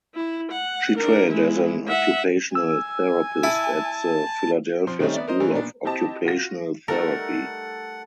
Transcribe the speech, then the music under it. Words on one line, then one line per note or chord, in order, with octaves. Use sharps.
She trained as an occupational therapist at the Philadelphia School of Occupational Therapy.
E4
F#5
D4 A#4
G#3 E4
E5 F#5
G#5 E6
E4 A5
F3 C4 C6
D#3 G3 A3 C4 C#4 D#4
B3 D5 E5
A#4 C5 D#5
E3 F#3 G3 A#4
A#2 B3 D4
C4 E4 G4 D#5 A5
F4 F#4 A#6
G3 A3 D#4 A4 A#4 F#5